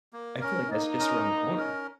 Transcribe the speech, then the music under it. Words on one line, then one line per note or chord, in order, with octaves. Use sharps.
I feel like that's just around the corner.
A#3
C#4 A#4
A#3 D#4
C#4 A#4
A#3
C#4 A#4